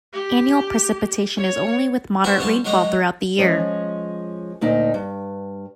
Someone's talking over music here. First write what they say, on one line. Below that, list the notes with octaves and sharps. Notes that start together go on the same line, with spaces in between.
Annual precipitation is only with moderate rainfall throughout the year.
G4
C#5
E3 C4 D4 F#4 E5
G3 B3 C#4 F4 A5
D#3 F#3 G#3 D5 A#5
F3 G#3 C#4
D2 A#2 D#4
G2